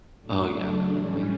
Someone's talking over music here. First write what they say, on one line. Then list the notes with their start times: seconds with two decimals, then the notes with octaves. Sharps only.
Oh, yeah, definitely.
0.22 A2 F#3 A3 D4
0.54 C#3 F#3 A3
0.87 A2 E3 G3 C#4